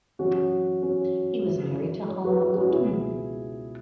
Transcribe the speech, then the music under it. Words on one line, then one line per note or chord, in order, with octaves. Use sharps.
He was married to Halima Khatun.
F#2 E3 C#4 F#4
C#4 F#4
F#2 E3 E4 G#4
G#4 C#5
F#4 B4
E4
C#4 F#4
C#2 B2 E4 G#4